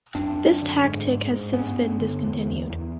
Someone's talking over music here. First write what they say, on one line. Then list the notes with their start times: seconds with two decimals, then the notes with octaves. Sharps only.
This tactic has since been discontinued.
0.15 F#2 C4 D4
0.38 F#2
0.62 D3
0.84 G#2
1.07 G#2
1.30 G#2
1.53 G2 B3 C#4
1.76 G2
2.00 D3
2.24 E2
2.46 E2
2.70 E2